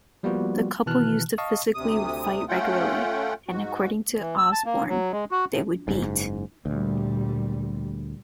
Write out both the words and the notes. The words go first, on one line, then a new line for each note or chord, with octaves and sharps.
The couple used to physically fight regularly and, according to Osbourne, they would beat.
F3 G3 A#3 B3 F4 F#4
B2 D#3 E3 A5 F6 F#6
D#5 F5 A5 C#6 D#6
D2 C3 D#6
A3 C#4 F4 F#5 G5
G#2 F#4
E3
E6
A5
A#3
F#3
G#3
F#4
A2
F#1 G#2
D2 A#2 G3